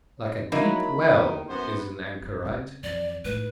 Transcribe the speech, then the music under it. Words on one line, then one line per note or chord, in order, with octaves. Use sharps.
Like a deep well is an anchorite.
C#5
F#3 A#3 D#4 E4 A#4 B5
D2 D#3
F#2 B3 B4 C5
G1
C#3 C4
F2 E3 D5
A2 D#4 B4